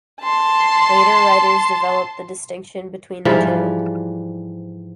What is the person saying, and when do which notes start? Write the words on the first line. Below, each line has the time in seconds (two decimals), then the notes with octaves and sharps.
Later writers developed the distinction between the two.
0.21 A5 C6
3.25 G#2 E3 F3 G3